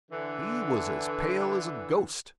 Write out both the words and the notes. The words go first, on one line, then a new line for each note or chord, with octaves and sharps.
He was as pale as a ghost.
D3 E3